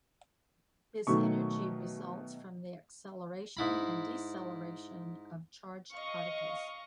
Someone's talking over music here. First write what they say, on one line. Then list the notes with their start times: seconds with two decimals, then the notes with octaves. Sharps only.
This energy results from the acceleration and deceleration of charged particles.
1.07 B2 D#3 F#3 A3 C#6
3.57 G#2 E4 B5
5.94 D#5 F5 C#6